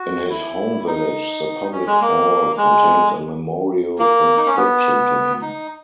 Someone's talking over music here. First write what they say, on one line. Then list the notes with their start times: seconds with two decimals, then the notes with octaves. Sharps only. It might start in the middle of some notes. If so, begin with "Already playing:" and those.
In his home village, the public hall contains a memorial inscription to him.
Already playing: F#4
0.30 E4
0.87 D#4
1.72 C#4
1.87 G#3
2.01 A#3
2.58 G#3
3.99 A#3
4.37 D#4
4.46 C#4
4.56 B3
5.42 D#4